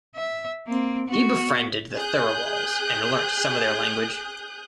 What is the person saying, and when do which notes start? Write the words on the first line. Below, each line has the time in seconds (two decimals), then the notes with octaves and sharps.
He befriended the Tharawals and learnt some of their language.
0.15 E5
0.67 A#3 C4
1.07 B3 F#4
1.94 G#4 D#6 F#6 G6